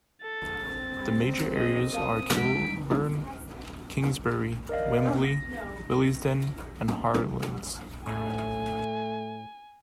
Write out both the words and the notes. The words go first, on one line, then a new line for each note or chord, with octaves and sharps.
The major areas are Kilburn, Kingsbury, Wembley, Willesden and Harlesden.
A4 A6
C4
F#4 G#4 D#5
A#4 F5 A5 D#6
G#3 B6 D7
A#4 D5 D#5 F5
A#6
A2 A3 G#5